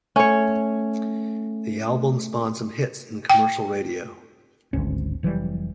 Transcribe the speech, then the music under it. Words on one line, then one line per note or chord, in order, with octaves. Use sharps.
The album spawned some hits in commercial radio.
A3 C#4 C#5
G5
D1 G#1 D2 C#4
F1 E3 F#3 G3